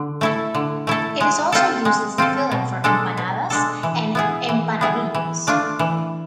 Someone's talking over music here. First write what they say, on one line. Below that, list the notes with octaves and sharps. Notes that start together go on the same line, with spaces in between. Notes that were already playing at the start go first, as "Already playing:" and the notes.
It is also used as the filling for empanadas and "empanadillas".
Already playing: D3
A3 E4 A4
D3
A3 E4 A4
G#3
C4 F4 A4
G#3
C4 F4 A4
B2
G#3 D4 A4
B2
G#3 D4 A4
E3
B3 E4 G#4
E3
B3 E4 G#4
E3
A3 D4 F4
E3